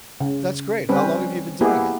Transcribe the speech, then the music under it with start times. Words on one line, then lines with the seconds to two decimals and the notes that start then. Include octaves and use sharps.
That's great, how long have you been doing it?
0.21 C#3
0.89 G3 C4 C#4 B4
1.61 A#3 B3 E4 G4 G#4